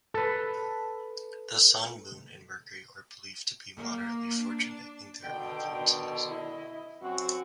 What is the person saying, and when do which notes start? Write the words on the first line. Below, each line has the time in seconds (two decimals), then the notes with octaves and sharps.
The Sun, Moon, and Mercury are believed to be moderately fortunate in their influences.
0.14 A4 B4
3.76 A#3
4.36 D4
5.22 B2 D3 D#3 G5
6.28 E4 D#5
7.02 F#2 C4 F#4 F#5